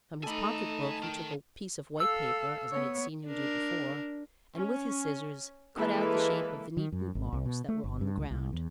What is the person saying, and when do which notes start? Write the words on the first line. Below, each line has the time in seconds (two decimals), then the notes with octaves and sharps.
From his pocket-book he took a piece of white paper as I had seen him do before, and with his scissors, cut out the shape of the neat bootmarks that were on the ground.
0.23 A3 D#4 A4 G#5 B5 D6
1.03 A#4 G5
2.00 A4 F5 E6
2.72 B3 C#5
3.27 D4 A#4
4.55 C#4
5.76 E3 G#3 A#3 E4 A4 B4
6.77 D#3
6.92 F#2
7.15 G#1
7.33 C2
7.45 B2
7.68 A3
7.84 G1
8.01 G2
8.17 C#2
8.31 C2
8.53 E2